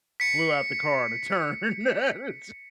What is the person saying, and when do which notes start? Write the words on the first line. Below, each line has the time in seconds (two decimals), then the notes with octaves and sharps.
flew out the car on a turn. Its
0.20 B6 C#7